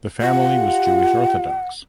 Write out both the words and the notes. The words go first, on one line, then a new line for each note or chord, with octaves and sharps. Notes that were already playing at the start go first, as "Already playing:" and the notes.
The family was Jewish Orthodox.
F4 G4 F#5